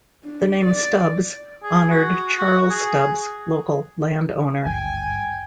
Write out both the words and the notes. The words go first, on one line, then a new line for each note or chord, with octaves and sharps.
The name Stubbs honored Charles Stubbs, local landowner.
D4
D5
G#4
F#4
F#4
G#4
G#1 D2 G2 G5 G#5